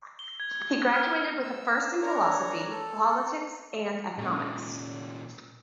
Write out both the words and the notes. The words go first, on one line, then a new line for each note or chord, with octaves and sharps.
He graduated with a First in Philosophy, Politics and Economics.
G7
G#6
F6
E6
D4 A#4 C#5 A#5
A4
A#2 C#4